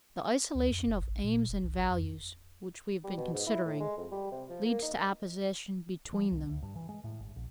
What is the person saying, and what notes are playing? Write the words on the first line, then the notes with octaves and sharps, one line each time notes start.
The isolation of aims and values which we have been considering leads to opposition between them.
D2
F#2
F1
A1
A#2
E1
C2
G#1
F2
G3
B2
G#2
E4
A2
G#3
F2
G3
C3
F3
A#3
D#4
F3
C2
D2
G2
E3
G#3
A2
G1
A#1